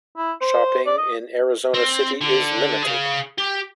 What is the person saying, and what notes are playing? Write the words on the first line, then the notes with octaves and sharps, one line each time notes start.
Shopping in Arizona City is limited.
E4
C5
D5
D#5
C4
D3
G#4 F5
G4